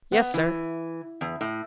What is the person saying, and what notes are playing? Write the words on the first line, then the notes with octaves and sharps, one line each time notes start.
"Yes, sir."
B3
E3
E2
A2